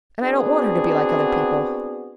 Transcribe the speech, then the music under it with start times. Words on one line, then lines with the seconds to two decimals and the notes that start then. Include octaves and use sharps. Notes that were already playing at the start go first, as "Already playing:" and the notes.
And I don't want her to be like other people.
0.22 B3 C4 D4 F#4 G#4